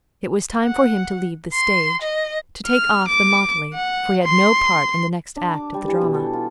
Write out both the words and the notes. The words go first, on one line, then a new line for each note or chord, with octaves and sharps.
It was time for him to leave the stage, to take off the motley, for he had no part in the next act of the drama.
F#5
C6
D#5
F6
D6
F#5
C6
D4
D6
G3
E3
B2
A4
F4